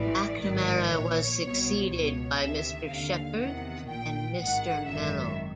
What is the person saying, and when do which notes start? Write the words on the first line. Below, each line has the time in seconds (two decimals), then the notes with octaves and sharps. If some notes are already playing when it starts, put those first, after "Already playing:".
McNamara was succeeded by Mr Shepherd and Mr Mellor.
Already playing: A1 A2 E3 D5
0.39 A1 G#2 D#3
0.88 A#1 A#2 C#5
1.39 C2 B2
1.89 C#2 B2 C#5
2.39 D2 C3 D#3 E5
2.88 D#2 D3 F5
3.38 E2 C3 D#3 F#5
3.87 A#1 A#2 G5
4.38 A1 G#2 D#3 F#5
4.87 G#1 F#2 D#3 E5